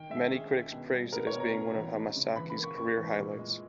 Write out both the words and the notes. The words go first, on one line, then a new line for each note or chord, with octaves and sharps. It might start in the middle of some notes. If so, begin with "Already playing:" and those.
Many critics praised it as being one of Hamasaki's career highlights.
Already playing: D#3 G5
G#3 E5
C#4 G#4
D#3
B2
G3
B3 A#4
C#5
B2
A#5
C#4
E3
G#3
C#3
E3 B5
B5
A#3
C#6
C#4 C#6
E3
A#2
G#3